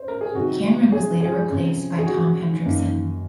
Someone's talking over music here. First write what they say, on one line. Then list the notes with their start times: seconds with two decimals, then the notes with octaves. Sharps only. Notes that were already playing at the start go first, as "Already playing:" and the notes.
Cameron was later replaced by Tom Hendrickson.
Already playing: C5 C#5
0.08 A#4
0.21 G#4
0.35 C3 D#3 F#3 F#4
0.92 G#4
1.21 G#4
1.49 C3 F3 G#3 C#4
1.98 G#4
2.07 F#4
2.64 F#2 D#3 A#3